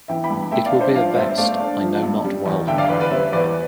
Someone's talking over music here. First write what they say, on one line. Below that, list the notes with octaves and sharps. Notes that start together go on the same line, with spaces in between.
It will be a vest, I know not well how.
E3 E5 G5
G5 B5
G2
A3 E5 G5
D5 F5
D4
C5 E5
F3 D5 F5
G2 C5 E5
A3 D5 F5
D4
F3
G2
G3
E2
D3 E5 G5
D5 F5
E2 B4 D5
B4 D5
G3 C5 E5
E2 B4 D5